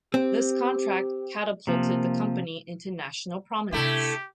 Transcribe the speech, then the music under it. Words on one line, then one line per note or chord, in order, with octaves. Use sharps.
This contract catapulted the company into national prominence.
C4 G4
C3 F3 A#3
C3 A3 D4 E4 G4